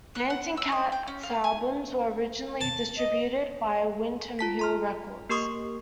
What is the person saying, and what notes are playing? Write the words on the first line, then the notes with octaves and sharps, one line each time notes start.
Dancing Cat's albums were originally distributed by Windham Hill Records.
F#6
F#5
E6
D#5
G5
C#4
F5
G#5
A5
D#5
F4 A5 B6
A#5 C6 F6
A#3 G4 A#4 C6 C#6 D#6